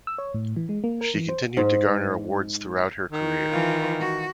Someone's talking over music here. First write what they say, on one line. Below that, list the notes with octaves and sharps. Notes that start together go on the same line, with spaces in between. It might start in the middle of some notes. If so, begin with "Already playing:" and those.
She continued to garner awards throughout her career.
E6
C#5
A2
E3
G#3
A#3
A#4
E3
C5
G#2
D#3
E3 F4
F#4